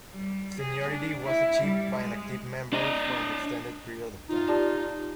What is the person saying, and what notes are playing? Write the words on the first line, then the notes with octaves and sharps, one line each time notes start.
Seniority was achieved by being an active member for an extended period of time.
G3
G#4
D4
E4
G3
G#3
D4 D#5
D#4 F4
G4 D5 A5